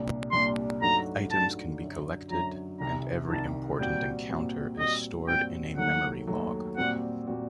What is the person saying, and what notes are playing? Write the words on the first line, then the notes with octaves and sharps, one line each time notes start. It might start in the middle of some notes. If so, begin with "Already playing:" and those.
Items can be collected and every important encounter is stored in a memory log.
Already playing: C2 A#2 G3 D4
C2 A#2 G3 D4 C6
G2 F#3 A3 D#4 F#4 A#5
G2 F#3 A3 D#4 F#4 A5
F#2 D3 F#3
F#2 D3 F#3 A#5
C2 C3 D#3 A#5
C2 C3 D#3 A5
A#2 G3 C4 F#4 G5
A#2 G3 C4 F#4
A#2 G3 C4 F#4 D#5
A#2 G3 C4 F#4 G5
D#2 D#3 F#3 A3 F#5
D#2 D#3 F#3 A3
A#2 G3 C4 F#4 F#5
A#2 G3 C4 F#4